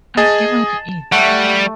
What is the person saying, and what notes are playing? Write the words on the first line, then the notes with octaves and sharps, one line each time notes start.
I demand it!
G#4 D#5 A5
G3 A3 F#5